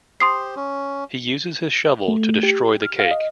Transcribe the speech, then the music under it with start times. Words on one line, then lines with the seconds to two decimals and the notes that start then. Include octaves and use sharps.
He uses his shovel to destroy the cake.
0.20 G4 C5 C6 D#6 C7
0.56 C#4
2.08 A3
2.43 G4
2.82 F6
2.99 F5
3.11 D#5